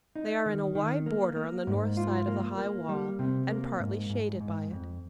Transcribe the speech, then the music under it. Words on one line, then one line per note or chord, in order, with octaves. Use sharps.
They are in a wide border on the north side of the high wall and partly shaded by it.
D#4
D#3
D#3
A#3
A#3
G#2
F4
A#3
A#3
G3
C3
A#3
G#2
G#2
G#2
F2